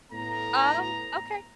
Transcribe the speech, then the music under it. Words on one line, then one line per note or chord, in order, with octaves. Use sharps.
Oh, okay.
A2 A3 B3 A#5